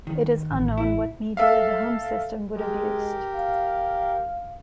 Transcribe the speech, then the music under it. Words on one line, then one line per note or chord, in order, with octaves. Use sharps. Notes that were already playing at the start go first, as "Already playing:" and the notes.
It is unknown what media the home system would have used.
D#3
A1
E4
A4 E5 F5
G#3 G4 A#4
F5